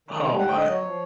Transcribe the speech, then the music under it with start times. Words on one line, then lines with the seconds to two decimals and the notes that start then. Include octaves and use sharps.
Oh, my.
0.08 D#3
0.28 G3
0.38 F#5
0.45 D3 G5
0.57 D#5
0.63 F#3
0.70 C#5
0.82 F3